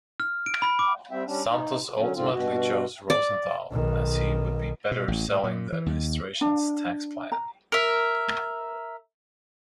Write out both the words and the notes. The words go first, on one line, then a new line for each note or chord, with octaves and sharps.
Santos ultimately chose Rosenthal, as he would be better selling the administration's tax plan.
F6
D7
B5
D6
G3 C4 E5 G5
G3 C#4 D4
D#4
D3 F#3 C#4
G#2 D3 C4 F4
G2 B2 F#4
D5
B1 D#3
B2
A1
A2
A#2
E3
D#2
D4
A#5
A#4 E5